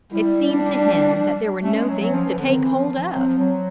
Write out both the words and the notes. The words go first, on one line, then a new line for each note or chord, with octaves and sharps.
It seemed to him that there were no things to take hold of!
G3 E4
D4
A3 C#4
G#3
F#3
F#3 C#4
F3
E3
D3 C4
D#3
E3
F3
F3
F#3 C4
F3
F#3